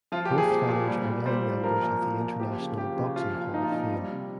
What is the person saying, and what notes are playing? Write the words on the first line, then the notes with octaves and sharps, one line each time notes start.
Both fighters are now members of the International Boxing Hall of Fame.
F3 F4
G4
A#2
G#4
F3
A#2
G3
A#2
G3 C5
A#2
F3 A#4
A#2
F3
A#2
F3 G4
C#3
F3 G4
C#3
F3 F4
A#2
F3 D#4
F4
A#2 D#4
G3
C3